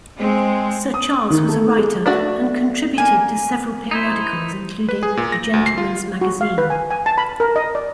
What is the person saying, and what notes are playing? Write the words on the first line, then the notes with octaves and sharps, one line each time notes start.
Sir Charles was a writer, and contributed to several periodicals including "The Gentleman's Magazine".
G#3 C4
D#6
D#3
A3
G#3
A3 D4 F#4
A#3 G#5
D#4 E4 C5
B4
G#4
A#2
A#6
D2
C7
F4
F#4
F5
B4
G#5
G#5
A5
B5
A#4
D#5
D5